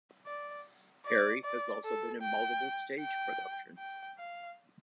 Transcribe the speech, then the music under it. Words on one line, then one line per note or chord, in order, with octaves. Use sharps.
Perry has also been in multiple stage productions.
D5
D5
D5
A4
G5
G5
G5
F5